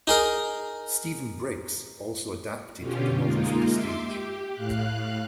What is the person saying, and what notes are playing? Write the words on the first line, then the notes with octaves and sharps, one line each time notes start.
Stephen Briggs also adapted the novel for the stage.
D#4 G#4 A#4
B2 D3 C#4 F4 G4
G#3 A#3 D#4 F4
E5 C6 D6
G4
A2 F5 F#6